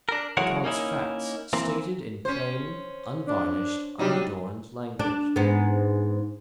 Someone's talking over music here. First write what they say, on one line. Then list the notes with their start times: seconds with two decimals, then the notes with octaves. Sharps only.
It wants facts stated in plain, unvarnished, unadorned language.
0.09 D4 A#4
0.37 E3 F#3 G#3 A#4 C#5 F#5
0.64 A#3 C#4 D#4 E4
1.53 E3 A#3 C4
2.25 C#4 C5
3.28 D4
3.99 F#3 G3 D4 D#4
4.99 D4
5.36 G#2 B3